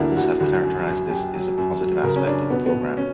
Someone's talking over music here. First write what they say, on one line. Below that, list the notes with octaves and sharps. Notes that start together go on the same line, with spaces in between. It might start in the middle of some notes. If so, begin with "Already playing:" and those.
Others have characterized this is a positive aspect of the program.
Already playing: D2 D3 A#3 D4 E4
D2 F#4
D2 F#4
F#2
F#2
F#2 G4
F#3
F#2
F#3
C#3 A#4
C#4
F#2 D4
B2 B3
B3
B2
C#4